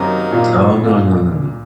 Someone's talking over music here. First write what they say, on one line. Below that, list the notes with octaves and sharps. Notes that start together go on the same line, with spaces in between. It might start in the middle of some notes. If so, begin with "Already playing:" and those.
Oh, no, no, no, no.
Already playing: F#2 C3 D#3 F#3 A#3 D#4
A#2
A#2